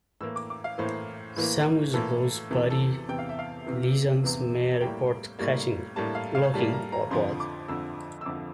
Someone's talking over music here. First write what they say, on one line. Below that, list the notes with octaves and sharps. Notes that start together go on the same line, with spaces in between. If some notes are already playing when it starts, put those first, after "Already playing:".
Some with loose body lesions may report catching, locking, or both.
A2 E3 A#3 E6
D6
D6
F5
A2 E3 A#3 C5
A2 E3 A#3
A2 E3 A#3 A4
E2 C3 E3 A4
A4
E2 C3 E3 G5
F5
E5
F5
E2 C3 E3
E2 C3 E3
A2 G3 A#3 G5
A2 G3 A#3
A2 G3 A#3 A5
F5
F5
A2 G3 A#3 A5
A#5
A#5
F2 D3 F3 C6
D6
F2 D3 F3 E6
E6
F2 D3 F3 D6